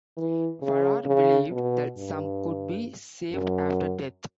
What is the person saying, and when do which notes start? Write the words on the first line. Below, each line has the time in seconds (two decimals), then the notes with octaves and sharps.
Farrar believed that some could be saved after death.
0.17 E3
0.62 C#3
1.06 C#3
1.52 B2
1.97 G2
3.32 F#2